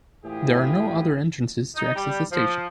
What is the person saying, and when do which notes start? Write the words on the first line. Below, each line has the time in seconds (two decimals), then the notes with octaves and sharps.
There are no other entrances to access the station.
0.24 A2 E3 E4 F4 G4 G#4
1.76 D#4
1.95 G3
2.32 F3